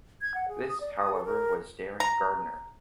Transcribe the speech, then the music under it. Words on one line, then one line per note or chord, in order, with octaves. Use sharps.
This, however, was Darren Gardner.
G#6
F#5
G#4
D#6
D5
D#6
A4
A#4
A#5